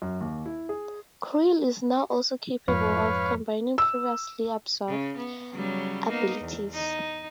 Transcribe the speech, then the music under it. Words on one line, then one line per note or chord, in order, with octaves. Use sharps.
Creel is now also capable of combining previously absorbed abilities.
F#2
D#2
E4
G#4
F2 G#2 B4 C#5 F5
E6
C#3
B3
C#3 F#3 G3
A#3 B3 D#4
E2
D#4